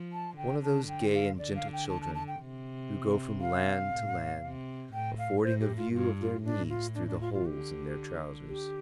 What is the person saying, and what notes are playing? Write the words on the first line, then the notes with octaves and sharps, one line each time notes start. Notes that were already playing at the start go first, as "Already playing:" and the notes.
One of those gay and gentle children, who go from land to land affording a view of their knees through the holes in their trousers.
Already playing: F3
A5
D3 G5
A5
G5
F5
D3 D5
F5
G5
A5
A5
A5
G5
C3
F5
A2
C3
A2 G5
F5
A2 C5
G4
F4
G2 F4
F4
A2 D4
F4
D4
D4
F4
F4
D3 G4
G4